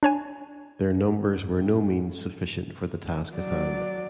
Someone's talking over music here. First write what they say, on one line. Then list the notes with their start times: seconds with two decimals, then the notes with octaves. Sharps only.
Their numbers were no means sufficient for the task at hand.
0.03 D4 C#5 G#5
3.35 F#3 D5